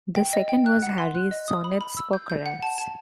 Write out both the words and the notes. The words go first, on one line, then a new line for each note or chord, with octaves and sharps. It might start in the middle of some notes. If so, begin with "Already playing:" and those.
The second was Harry's "Sonnets for Caresse".
G5
D#5
G5
F#6
F#5
C6
F#6
D#5
D#6
B5
B5
E6
G6
G6
F#5
A5
A5